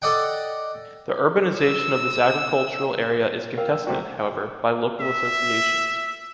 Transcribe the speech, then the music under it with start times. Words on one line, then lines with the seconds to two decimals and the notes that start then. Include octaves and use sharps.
The urbanization of this agricultural area is contested, however, by local associations.
0.02 A4 D5 D#5 F#5 G5
1.58 E6
3.58 A#4 F5 G5
3.71 E6
3.87 C2 C3 F#4 G5
5.00 E5